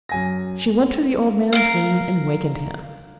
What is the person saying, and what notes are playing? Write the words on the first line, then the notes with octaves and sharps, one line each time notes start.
She went to the old man's room and wakened him.
F#2 G#5 A#6
A#4 F5